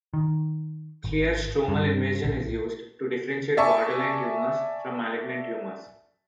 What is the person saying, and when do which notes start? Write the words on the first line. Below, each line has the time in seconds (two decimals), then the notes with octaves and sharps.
Clear stromal invasion is used to differentiate borderline tumors from malignant tumors.
0.14 D#3
1.04 G#1
1.68 G2
2.24 A#1
3.57 D5 E5 G#5 A5 C#6